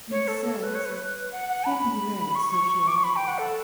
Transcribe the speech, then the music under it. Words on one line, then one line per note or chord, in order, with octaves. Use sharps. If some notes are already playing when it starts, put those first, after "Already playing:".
He says it "can be read as social allegory".
C#5
A4
A4
B4
C#5
B4
F#5
F#5
B5
C#6
C#6
D6
C#6
B5
G5
F#5
A4